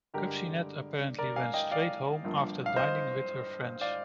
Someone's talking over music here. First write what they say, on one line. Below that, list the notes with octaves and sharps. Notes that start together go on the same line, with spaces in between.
Kupcinet apparently went straight home after dining with her friends.
G2 D3 G#3 G4 A#4
A#4 D5
F5 G#5
D#5 G5
D5 F5
G1 G2 F3 A#3
F5
C5 D#5
D5 F5